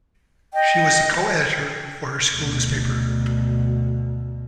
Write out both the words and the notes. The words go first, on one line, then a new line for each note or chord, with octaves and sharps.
She was the co-editor for her school newspaper.
D#5 G5
D2 B2